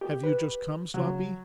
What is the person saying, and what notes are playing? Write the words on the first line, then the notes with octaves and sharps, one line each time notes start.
'Have you just come, Sloppy?'
G4
B4
C#3 F#3